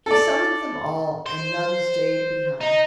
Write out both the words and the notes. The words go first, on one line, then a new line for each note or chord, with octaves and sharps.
He summoned them all, and none stayed behind.
A4 D5
C5
D#4